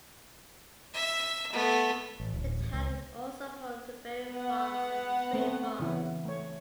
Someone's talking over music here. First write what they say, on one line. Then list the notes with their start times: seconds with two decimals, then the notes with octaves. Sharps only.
The town is also home to berry farms and tree farms.
0.94 E5
1.52 A3 B3
2.20 A1
2.34 D1
2.59 A1
2.73 C#2
4.31 B3 F#5
5.33 A3 C4
5.79 C#3 E3 E4
6.25 A3 C#5